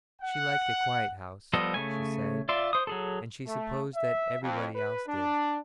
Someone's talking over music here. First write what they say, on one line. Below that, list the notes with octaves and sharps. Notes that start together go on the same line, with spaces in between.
She liked a quiet house, she said, and she supposed that everybody else did.
F#5
F3 G3 B3 A4 D#5
C#3 A3 G#5
F4 D5 E5 C6
C5 D#6
F#3 G#4 A4
A3
E5
F2
B4
D4